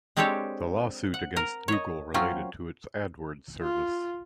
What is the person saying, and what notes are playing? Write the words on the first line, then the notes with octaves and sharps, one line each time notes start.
The lawsuit against Google related to its AdWords service.
G#3 C4 D4 G4 A4 C#5
F#5
A#4
C#5 D#5
F#3 C4 C#4 F4
F4